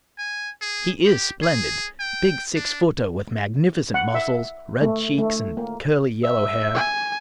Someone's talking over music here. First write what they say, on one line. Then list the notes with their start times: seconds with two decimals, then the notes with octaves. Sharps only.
He is splendid: big six-footer with magnificent muscles, red cheeks, and curly yellow hair.
0.18 G#5
0.61 G#4
1.06 G4
1.42 G#4
1.99 G5
2.56 D4
3.94 F#5
4.14 E5
4.81 A3
5.18 A3
5.57 A#3
6.24 E5
6.74 G#5